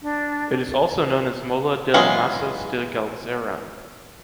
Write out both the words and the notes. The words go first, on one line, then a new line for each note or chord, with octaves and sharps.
It is also known as Mola dels masos de Galzeran.
D4
E3 F#3 G#3 C#4 F4